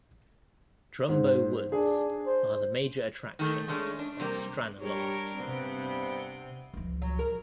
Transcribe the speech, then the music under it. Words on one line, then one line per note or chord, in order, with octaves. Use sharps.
Drumboe Woods are the major attraction of Stranorlar.
G#2 C5
D4 G#4
C5
D#3 A3
G#3 A3 C#4 D4
D4
C3 G3 A#3
G2 G3 D4 G4 A#4 C#5
G2 C3 B3 C4
C#2 F3
F#3
A#4